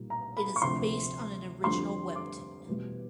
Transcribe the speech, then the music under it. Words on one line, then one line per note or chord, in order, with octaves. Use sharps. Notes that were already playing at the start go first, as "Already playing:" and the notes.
It is based on an original webtoon.
Already playing: B1 A#2 G3
A#5
B5
C#6
D2 C3 F3 C6
F2 D3 G3 C6
D6
E2 B2 G3